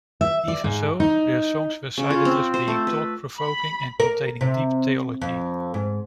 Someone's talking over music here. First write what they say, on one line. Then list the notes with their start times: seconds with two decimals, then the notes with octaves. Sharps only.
Even so, their songs were cited as being thought-provoking and containing deep theology.
0.21 E5
0.48 D5
0.64 G#2
1.00 D#4
1.98 C#3
2.10 F4
2.25 C4
2.54 C5
2.68 A3
2.87 B4
3.39 B5
4.00 A#4
4.41 C3
5.22 F2
5.74 G#2